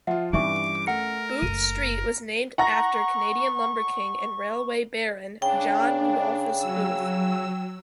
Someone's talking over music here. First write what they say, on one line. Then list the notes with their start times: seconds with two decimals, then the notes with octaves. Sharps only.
Booth Street was named after Canadian lumber king and railway baron John Rudolphus Booth.
0.07 F3 F4 E5 F#5
0.33 G2 E3 C4 C#4 D#4 E5 C#6 D6
0.87 A3 A#4 F#5 C#7
1.42 F#1 D#7
2.58 F#5 A#5 C#6 A#6
5.42 C#3 D4 G5
6.59 F#3 E6